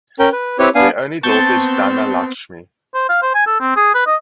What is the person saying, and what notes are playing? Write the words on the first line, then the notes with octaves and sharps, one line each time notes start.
Their only daughter is Dhanalakshmi.
C#4 A#4 G5
B4
C4 E4 G4 B4 C#5
B3 D4 F5 G#5
B3 C4 A5 C#6 G6
C5
F5
C5
G#5
A4
C4
G#4
B4
D#5